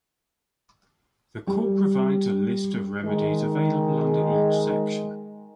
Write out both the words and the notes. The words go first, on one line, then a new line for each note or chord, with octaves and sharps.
The Court provides a list of remedies available under each section.
G3
D#3 G#3